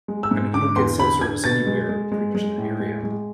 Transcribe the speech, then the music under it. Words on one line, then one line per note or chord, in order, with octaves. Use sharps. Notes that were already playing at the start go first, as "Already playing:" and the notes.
I mean, you don't get cell service anywhere pretty much in that area.
G#3
E6
G#2
D3 D6
E2 C6
D3 B5
D3 G#6
B2 A6
G#3
G#3
G#3
G#3
A2
G#3
G#3